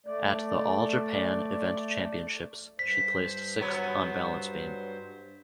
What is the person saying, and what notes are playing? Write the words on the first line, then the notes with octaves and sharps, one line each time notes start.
At the All Japan Event Championships she placed sixth on balance beam.
A3 D5
G2 C5 B6
F#3 B3 C#5